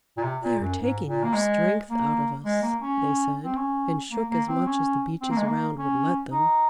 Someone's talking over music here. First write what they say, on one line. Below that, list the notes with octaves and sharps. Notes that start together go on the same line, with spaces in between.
"They are taking our strength out of us," they said, and shook as much as the Beeches around would let them.
A#2
C3
A#2
F#2
G#2
A#2
A#3
G#3
A#3
G#3
A#3
C#4
C4
C#4
A#3
A#3
C4
C#4
C4
A#3
G#3
A#3
C#4
D#4